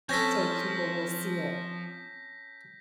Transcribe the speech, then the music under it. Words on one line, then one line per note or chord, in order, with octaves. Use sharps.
so people will see it.
F3 C4 C#4 A4 G6 A#6 B6